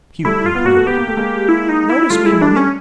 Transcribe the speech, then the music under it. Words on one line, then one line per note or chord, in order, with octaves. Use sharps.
Hugh complained, "Notice me, mummy!"
G3 A3 E4
F4
B3
A#3 F#4
A3 B3
B3 G4
A#3
A3
G#3 A#3
E4
D#4
E4
G3 A3 F4
G#3 E4
G3 A3 D4
C#4